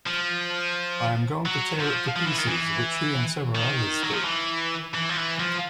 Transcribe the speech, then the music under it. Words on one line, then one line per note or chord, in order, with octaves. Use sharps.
I am going to tear it to pieces.' Which he and several others did.
F3
F#3
F3
F3
E3
D#3
E3
D#3
F#3
F3
E3
E3
F3
E3
F3